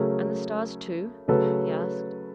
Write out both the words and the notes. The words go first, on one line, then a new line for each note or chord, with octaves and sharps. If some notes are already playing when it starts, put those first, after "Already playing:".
"And the stars, too?" he asked.
Already playing: C#3 F#3 A3 G#4 A#4
C#3 F#3 A3 A4 B4